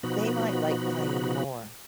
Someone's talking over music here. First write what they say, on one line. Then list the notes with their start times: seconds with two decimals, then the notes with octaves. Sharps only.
they might like playing more.
0.03 B2 F3 B3 D#4 F#4 B5